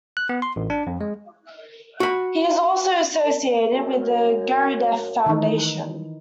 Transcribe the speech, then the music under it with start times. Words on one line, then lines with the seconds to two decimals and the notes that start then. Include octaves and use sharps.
He is also associated with the Gurdjieff Foundation.
0.17 F#6
0.29 B3
0.42 C6
0.56 A1
0.70 D4
0.87 F2
1.01 G#3
2.00 F#4 B5
3.73 F#2
5.26 D#3 E3 D#4